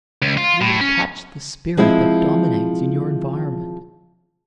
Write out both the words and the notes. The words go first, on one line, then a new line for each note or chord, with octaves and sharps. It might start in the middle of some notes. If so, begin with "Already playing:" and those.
You will catch the spirit that dominates in your environment.
C#2
F4
A2
C#4
F3 G#3 C4 E4